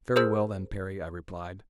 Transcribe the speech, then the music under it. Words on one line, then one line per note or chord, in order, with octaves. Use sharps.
"Very well then, Perry." I replied.
G#4 A#4 C5 E6